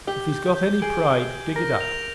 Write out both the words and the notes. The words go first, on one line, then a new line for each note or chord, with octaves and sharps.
If he's got any pride, dig it up.
G4 G7
G6
G6
G#4 D7
G7
G6
A#4 A#6
F7